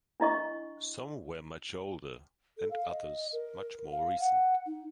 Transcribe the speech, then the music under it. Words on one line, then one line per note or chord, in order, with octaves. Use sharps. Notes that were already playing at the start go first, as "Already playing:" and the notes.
Some were much older and others much more recent.
D4 E4 D#5 C#6
A4
F5
D#5
A#4
F5
F#5
D#4